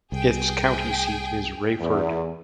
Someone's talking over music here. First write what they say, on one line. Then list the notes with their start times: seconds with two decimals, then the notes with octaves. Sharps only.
Its county seat is Raeford.
0.12 C2 G#4 G5
1.80 E2